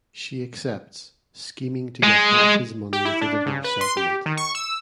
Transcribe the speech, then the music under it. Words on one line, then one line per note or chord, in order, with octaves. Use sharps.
She accepts, scheming to get half his money with a divorce settlement.
G#3
G4
E4
D4
C#3
B4
C6
G4
D#3
C#6
E6